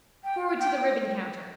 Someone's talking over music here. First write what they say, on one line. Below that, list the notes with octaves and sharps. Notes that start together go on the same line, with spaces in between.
Forward to the ribbon counter.
G5
G5